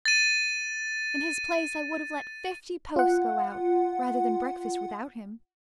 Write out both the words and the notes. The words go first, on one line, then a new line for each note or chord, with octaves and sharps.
In his place I would have let fifty posts go out rather than breakfast without him.
A6 D#7
F4 F#5